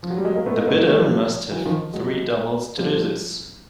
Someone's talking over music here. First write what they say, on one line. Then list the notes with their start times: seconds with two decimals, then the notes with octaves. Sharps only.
The bidder must have three doubles to do this.
0.03 F3
0.10 F#3
0.18 G3
0.25 F#3 G#3
0.35 G#3 A#3
0.46 A3 B3
0.56 G#3 A#3
0.67 A3 B3
0.77 G#3 A#3
0.88 G3 A3
0.99 F3 G3
1.09 F3 G3
1.51 E3 F#3
1.65 D#3 F3
1.94 F#3 G#3
2.78 F3 G3